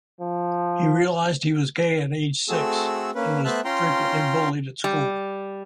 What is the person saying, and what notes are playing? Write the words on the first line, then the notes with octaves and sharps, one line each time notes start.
He realized he was gay at age six, and was frequently bullied at school.
F3
A3 C4 F#4 G#4 A4 E6
A#3 C#4 B4
A3 B3 C5 E5 A5 F#6
C#4 F4 G5 A#5 C6
G3